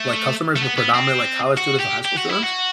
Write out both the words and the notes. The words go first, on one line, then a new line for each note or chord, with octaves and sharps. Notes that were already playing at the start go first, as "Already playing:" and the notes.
like customers were predominantly like college students and high school students.
Already playing: A3
A3
B3
B3
C4
F#4
G4
G4
F#4
E4
F#4